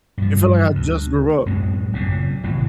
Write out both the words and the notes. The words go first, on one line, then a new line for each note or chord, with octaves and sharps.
it feel like I just grew up,
G2 F3
D2
F#2 A2 G#3 C4
F#1 A#2 C#3
G#1 A2 C3 E3